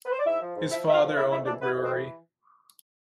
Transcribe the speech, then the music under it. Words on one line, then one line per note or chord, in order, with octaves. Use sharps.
His father owned a brewery.
B4
C5
D5
G#2 E4 E5
F3
G#2
F3 E4 E5
G#2 E5
F4 F5
F3
E3 E4 E5
F2 E4 E5
E3 D4 D5
E3 B3 B4
F2
C4
E3